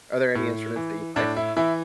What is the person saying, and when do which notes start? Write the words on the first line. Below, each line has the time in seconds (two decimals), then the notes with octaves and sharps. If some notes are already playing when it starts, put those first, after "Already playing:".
Are there any instruments that you play?
0.35 A2
0.76 E3
1.16 A2 D4
1.37 E4
1.57 E3 E4